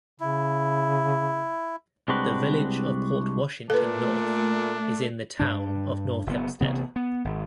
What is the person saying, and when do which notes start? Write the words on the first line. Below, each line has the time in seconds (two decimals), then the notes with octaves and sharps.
The Village of Port Washington North is in the Town of North Hempstead.
0.20 C#3 E4
2.08 C2 G#3 C4 D4 F#4 B4
3.70 A#2 A3 D4 A4 B4
5.40 G2 D4
6.27 F#1 B3
6.61 A1 C3 B3
6.96 B3
7.25 G#1